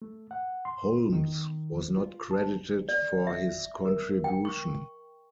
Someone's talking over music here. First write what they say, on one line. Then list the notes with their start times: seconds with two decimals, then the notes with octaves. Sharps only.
Holmes was not credited for his contribution.
0.02 A3
0.31 F#5
0.65 C6
1.12 D#3
1.97 F4
2.31 A5
2.89 D5
3.27 E5
3.86 A#4
4.24 G5
4.45 C#6